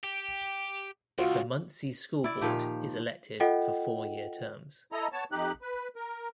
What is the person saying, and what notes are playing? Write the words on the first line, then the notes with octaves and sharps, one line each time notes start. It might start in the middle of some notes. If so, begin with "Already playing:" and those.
The Muncy School Board is elected for four year terms.
G4
C#2 F4 F#4
E4 D5
A#2 D#3 F3 G4
F4 A4 D#5 F#5 G5
E4 A4 D#5 A#5
B3 C#5 A5
F2 D#4 G4 F#6
B4
A#4